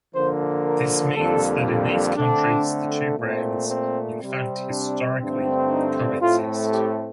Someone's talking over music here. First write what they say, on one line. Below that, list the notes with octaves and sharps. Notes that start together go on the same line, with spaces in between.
This means that in these countries the two brands in fact historically co-exist.
D3 F3 A#3 C5
A#4
F2 D3 G3 A#3 A4
D3 A3 C4 D4
A#2 A3 C4
C4
C3 G3 C4
D4
G2 D3 A3 C4
D#4
A2 A3 C4 F4
G4